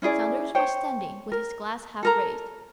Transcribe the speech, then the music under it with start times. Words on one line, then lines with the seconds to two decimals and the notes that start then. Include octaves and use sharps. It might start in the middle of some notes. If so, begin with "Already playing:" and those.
Saunders was standing with his glass half raised.
0.02 C#4 E4 G#4 D5
0.55 C5 C#5 G5
1.32 A#4
2.03 A4 A#4 A#5